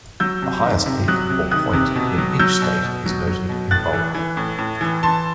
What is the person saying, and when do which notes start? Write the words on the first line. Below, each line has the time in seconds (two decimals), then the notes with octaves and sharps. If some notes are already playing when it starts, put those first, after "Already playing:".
The highest peak or point in each state is noted in bold.
0.20 F#3 E6 G6
0.42 C3
0.64 D#3
0.86 C3
1.08 F#3 D#6 F#6
1.30 C3
1.51 D#3 D#6 F#6
1.73 C3
1.95 B2
2.18 F#3
2.39 F#3 E6 G6
2.61 B2
2.83 B2
3.06 F#3
3.27 F#3
3.49 B2
3.71 A2 F#6 A6
3.93 E3
4.15 E3
4.37 A2
4.58 A2
4.81 E3
5.03 E3 A5 C6